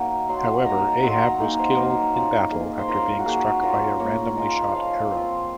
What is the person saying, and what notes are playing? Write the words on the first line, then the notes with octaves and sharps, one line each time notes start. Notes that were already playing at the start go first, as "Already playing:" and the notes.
However, Ahab was killed in battle after being struck by a randomly shot arrow.
Already playing: F#3 A#3 D#4 C#6
F#3 C6
A#3 D#4 A#5
F#3 C6
A#5
A#3 D#4 G#5
C5
A#3 A#4
C#4 F4
A#3 G#4
C5
C#4 F4 A#4
F#4
A#3 G#4
C#4 F4 A#4
A#3 C#5
C#4 F4 D#5
F3 F5
C4 F4